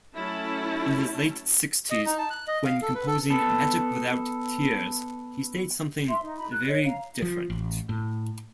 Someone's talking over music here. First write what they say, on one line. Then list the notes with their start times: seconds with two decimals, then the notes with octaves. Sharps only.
In his late sixties, when composing "Magick Without Tears", he states something very different.
0.16 F#3 A3 C#4 E4 A5
1.90 D#5
2.06 D#4
2.18 A5
2.30 F#6
2.48 D#5
2.65 F5
2.82 A4
2.95 B4
3.07 A4
3.30 B3 A4
6.08 E5 C6
6.21 D#4
6.38 D#4 F#4 B5
6.51 F#6
6.65 C#5 D#5
6.84 F5 A#5
7.22 F3
7.50 A1
7.89 A2